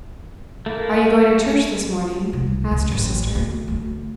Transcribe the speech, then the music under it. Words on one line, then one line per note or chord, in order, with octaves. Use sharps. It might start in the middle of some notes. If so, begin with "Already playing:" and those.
'Are you going to church this morning?' asked her sister.
A3 A#3 E4
C2
C#2
A1
D2
D2